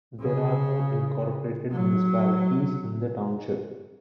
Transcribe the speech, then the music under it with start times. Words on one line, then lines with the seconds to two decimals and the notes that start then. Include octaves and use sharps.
There are no incorporated municipalities in the township.
0.21 C#3
1.72 F#3